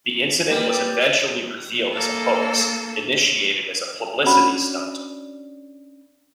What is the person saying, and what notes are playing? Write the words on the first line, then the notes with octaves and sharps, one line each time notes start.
The incident was eventually revealed as a hoax, initiated as a publicity stunt.
G3 A#3 B4
A#3 A4
C#4 D4 F#4 B5